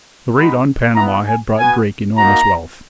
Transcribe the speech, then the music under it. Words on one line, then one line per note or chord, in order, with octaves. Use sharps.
The raid on Panama had brought Drake enormous wealth.
G#3 D#4 F#4 B5
B3 E4 A#5
G#5
B3 F#4 G#5
A#3 D#4 F#4 A#5